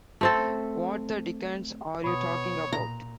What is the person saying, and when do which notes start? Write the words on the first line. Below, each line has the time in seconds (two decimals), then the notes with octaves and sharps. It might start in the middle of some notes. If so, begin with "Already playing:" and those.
What the dickens are you talking about?
0.21 A3 C4 A4
2.04 B2 C#5 B5 D#6
2.73 A#2 A#5